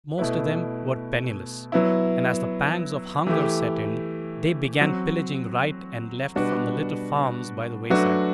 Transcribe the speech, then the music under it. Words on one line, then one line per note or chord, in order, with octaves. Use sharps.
Most of them were penniless, and, as the pangs of hunger set in, they began pillaging right and left from the little farms by the wayside.
B2 A3 E4 B4
F#3 B3 E4
E3 A3 E4 G4
F#3 C4 F#4
B2 G3 D4 F#4 B4
F#3 A3 D4 F#4 B4